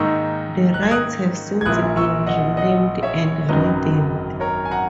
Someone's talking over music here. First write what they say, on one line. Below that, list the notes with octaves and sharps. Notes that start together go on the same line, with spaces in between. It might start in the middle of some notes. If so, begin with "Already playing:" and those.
The rides have since been renamed and rethemed.
Already playing: G#2 D#3 A#3 D#4 C#6 E6
F#6
G#6
D#6 F#6
G#6
A#1 A#2 A#3 E4 D#6 F#6
C#6 E6
D#5 F#5
D#5 F#5
C#5 E5
G#1 F#2 D#3 F#3 B4 D#5
A#4 C#5
G#5
F#5 A#5